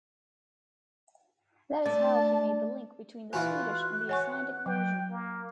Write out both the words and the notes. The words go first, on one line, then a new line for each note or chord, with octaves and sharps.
That is how he made the link between the Swedish and the Icelandic version.
A3 D4 D5 A5
E3 F4 F#4 B4 F5 G#5 F#6
C#5 F#5 G#5 C#6
F#3 G5
A#3